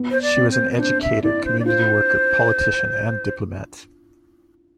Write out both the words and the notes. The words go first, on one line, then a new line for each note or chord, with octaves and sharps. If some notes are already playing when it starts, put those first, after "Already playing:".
She was an educator, community worker, politician, and diplomat.
Already playing: B3
C5
D5
C4
C5
B4
D4 C5
E5
E4 D5
C5
D5
F4 C5